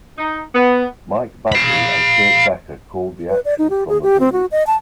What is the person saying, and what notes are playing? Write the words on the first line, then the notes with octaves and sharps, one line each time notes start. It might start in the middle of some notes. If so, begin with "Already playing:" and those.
Mike Bagley and Kurt Becker called the action from the booth.
D#4
B3
F5 B5
B4
D5
D#4
G4
G#4
G4
C4
F#4
D#5
A5